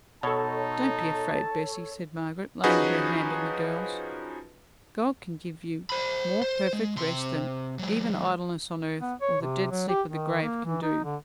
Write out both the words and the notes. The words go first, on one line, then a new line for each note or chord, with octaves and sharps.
'Don't be afraid, Bessy,' said Margaret, laying her hand on the girl's; 'God can give you more perfect rest than even idleness on earth, or the dead sleep of the grave can do.'
B2 D#4 A4 C#5 A5
F3 C#4 D#4 F#4 G#4 B4
C5 B5
C5
G#3
C3 C6
F#3 G#3
B3
C#5
C3
F#3
G4
D#3
A#3
E3
D#4
D3